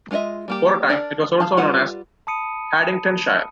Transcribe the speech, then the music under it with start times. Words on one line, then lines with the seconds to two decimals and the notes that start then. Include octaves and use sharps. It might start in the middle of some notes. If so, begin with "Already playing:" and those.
For a time, it was also known as Haddingtonshire.
0.11 G#3 F4 F#4 D#5 E5
0.48 G3 A#3 G4
0.89 D4 A#4 D5
1.40 F5 A5
1.57 G3 F4 B4 F#5
2.27 A5 B5 D#6 C#7 D#7